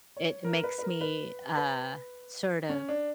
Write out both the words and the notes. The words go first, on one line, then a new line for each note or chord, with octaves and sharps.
It makes me, uh, sort of
C#5
A#4
B4
B4
A#4
B4
B4
C#4
D4